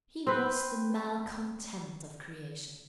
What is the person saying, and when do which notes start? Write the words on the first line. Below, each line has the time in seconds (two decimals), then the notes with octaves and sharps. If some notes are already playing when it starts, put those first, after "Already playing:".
He was the malcontent of creation.
0.27 C4 B4